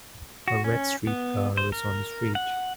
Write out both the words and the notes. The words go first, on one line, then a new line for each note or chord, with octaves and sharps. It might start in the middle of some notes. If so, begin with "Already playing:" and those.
A red streetcar is on the street.
F#4
C#4
B3
C5
A#4
F#5